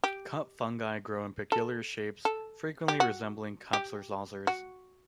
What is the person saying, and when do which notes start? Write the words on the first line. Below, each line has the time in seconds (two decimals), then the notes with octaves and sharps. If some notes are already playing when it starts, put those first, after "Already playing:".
Cup fungi grow in peculiar shapes, frequently resembling cups or saucers.
0.04 G4
1.52 A4
2.25 A4
2.88 G4
3.00 F#4
3.73 G4
4.47 F#4